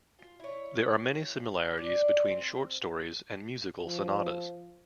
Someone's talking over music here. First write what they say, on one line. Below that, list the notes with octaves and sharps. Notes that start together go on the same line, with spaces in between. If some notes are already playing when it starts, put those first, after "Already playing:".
There are many similarities between short stories and musical sonatas.
F4
E4 C#5
D4
C4
F3